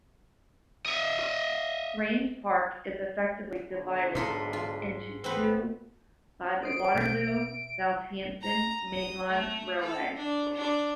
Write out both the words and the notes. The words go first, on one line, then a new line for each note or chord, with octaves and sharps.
Raynes Park is effectively divided into two by the Waterloo - Southampton mainline railway.
D#5 E5
B1 D3
G#2 D#4 F4 A4
F4
B3 C4 B4
C5 D#6 C7 D7
B2 F#5
E5
A#5
D#6
A3
A4
D4
D4